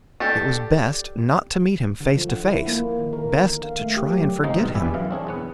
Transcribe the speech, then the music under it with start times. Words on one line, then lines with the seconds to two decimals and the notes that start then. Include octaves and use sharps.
It was best not to meet him face to face! Best to try and forget him!
0.20 D4 G4 A4
2.00 D3
2.16 F3
2.29 F#5
2.45 E4
2.67 A#3
2.99 D#3
3.13 A#4
3.30 D3
3.63 F5
3.79 A3
3.97 G4
4.12 F#3
4.44 D#3 G#3 A#3 D#4 C5
4.59 G2 B2
4.75 E2 G3 B3 D5 E5 G#5
4.94 F#2 E3 F5
5.11 C4 D4 G#4 C#5
5.27 E2 B3 F#5